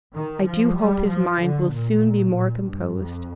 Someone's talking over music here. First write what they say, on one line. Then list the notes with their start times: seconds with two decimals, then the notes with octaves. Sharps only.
I do hope his mind will soon be more composed.
0.15 D#3
0.46 F3
0.78 G3
1.09 F3
1.41 D3
1.73 A#2
2.36 A#2
2.68 G2
2.99 F2